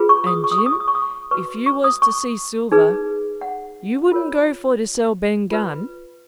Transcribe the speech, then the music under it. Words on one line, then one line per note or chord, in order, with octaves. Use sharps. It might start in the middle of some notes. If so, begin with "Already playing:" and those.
And, Jim, if you was to see Silver, you wouldn't go for to sell Ben Gunn?
Already playing: F4 G#4 B4
C#6
D#6
C#6
D#6
C#6
D#6
C#6
D#6
C#6
D#6
C#6
F#4 B4 C#6
C#6
D#6
C#6
D#4 G#4 B4
F#5
F4 A#4 C#5
F4 B4